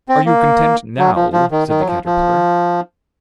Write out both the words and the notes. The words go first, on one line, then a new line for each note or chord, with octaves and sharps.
'Are you content now?' said the Caterpillar.
C4
A#3
F#3
F3
F3
D#3
D#3
F#3
F3
F3